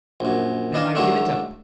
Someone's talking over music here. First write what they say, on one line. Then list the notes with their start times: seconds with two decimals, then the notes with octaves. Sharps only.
"Then I give it up."
0.20 A#1 F#2
0.74 E3 D4 D#5 F5
0.95 A2 D#3 F#3 G#3 A3 D4